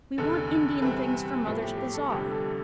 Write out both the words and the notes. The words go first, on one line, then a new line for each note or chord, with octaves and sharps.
'We want Indian things for mother's bazaar.
F1 E2 D3 A4
E2 C3 G3 C4 B4
A2 F3 B3 A4
G4
G4
A4
A4
F1 F2 D3 G3 B3 G4
A4